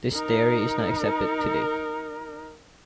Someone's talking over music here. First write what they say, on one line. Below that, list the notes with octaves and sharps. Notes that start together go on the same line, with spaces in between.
This theory is not accepted today.
D#4 A#4